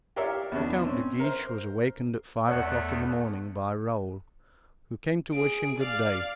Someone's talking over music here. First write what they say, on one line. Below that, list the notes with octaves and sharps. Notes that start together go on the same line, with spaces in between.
The Count de Guiche was awakened at five o'clock in the morning by Raoul, who came to wish him good-day.
G4 A#4 C#5 D5 E5 F5
E2 B2 C#4 D4
C4 C#4
A#4 C5
E2 A3 C#5 D5 F#5
G#4 D7
D5 F5